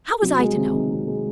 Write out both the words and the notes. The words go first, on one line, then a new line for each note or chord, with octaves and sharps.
How was I to know?
C3 F#3
G#3
C3
D#3
C3
G#3